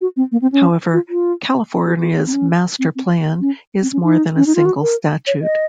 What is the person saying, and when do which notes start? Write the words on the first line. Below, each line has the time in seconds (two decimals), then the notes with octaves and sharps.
However, California's Master Plan is more than a single statute.
0.01 F#4
0.17 C4
0.32 A#3
0.42 C4
0.52 C#4
0.93 F4
1.09 F4
1.86 F#4
2.01 F4
2.17 D#4
2.26 C4
2.32 C#4
2.79 C4
2.95 C4
3.41 C#4
3.82 C4
3.92 C#4
4.04 D#4
4.36 C#4
4.46 D#4
4.55 F4
4.65 F#4
4.81 A#4
5.27 C#5
5.42 D#5